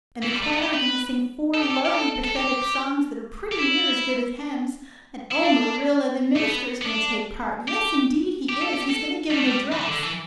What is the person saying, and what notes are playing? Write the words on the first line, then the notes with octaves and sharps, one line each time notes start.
And the choir are going to sing four lovely pathetic songs that are pretty near as good as hymns. And oh, Marilla, the minister is going to take part; yes, indeed, he is; he's going to give an address.
E3
G3
A3
B3
G4
B4
A4
G4
A4
G4
A4
A4
G4
G4
E4
E4
D4
A3
B3
B3
D4
G4
G4
A4
G4
A4
G3
A3
G3
E3
D3
D3
E3